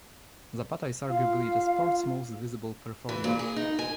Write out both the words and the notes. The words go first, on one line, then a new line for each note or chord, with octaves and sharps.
Zapata is arguably the sport's most visible performer.
F4 F5
E3
A#2
G#4
D#4
G#5